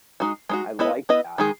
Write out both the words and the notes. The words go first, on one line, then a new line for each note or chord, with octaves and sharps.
I like that.
G#3 D#4 F#4
G#3 D#4 F#4
B3 E4 B4 D#5
B3 E4 B4 D#5
D#3 G#3 D#4 G#4